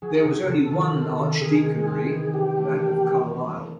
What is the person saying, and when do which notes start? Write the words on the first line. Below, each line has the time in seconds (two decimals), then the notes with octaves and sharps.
There was only one archdeaconry, that of Carlisle.
0.02 F#3 G#4
0.24 C3
0.43 A#4
0.48 C3 A4
0.71 D#3
0.95 C4
1.18 D#3
1.41 D#3 G#4
1.64 G#3
1.87 C4
2.10 E3
2.34 E3 G4
2.57 A3
2.80 A#3